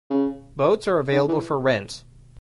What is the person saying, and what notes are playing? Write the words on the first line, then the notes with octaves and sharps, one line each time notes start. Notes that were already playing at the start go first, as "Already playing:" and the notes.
Boats are available for rent.
C#3
D3
E3